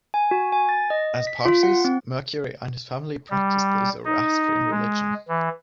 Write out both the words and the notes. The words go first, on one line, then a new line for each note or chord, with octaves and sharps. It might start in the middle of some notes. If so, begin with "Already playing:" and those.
As Parsis, Mercury and his family practised the Zoroastrian religion.
G#5
F#4
G#5
A6
D#5
B6
F4
F#5
C4
G3
D#4
G#3
E3